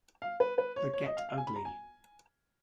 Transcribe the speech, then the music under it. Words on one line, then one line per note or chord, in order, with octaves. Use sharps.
The Get Ugly!
F5
B4
B4
C#5
C#5
D#5
F5
F5
G#5
B5
A#5
G#5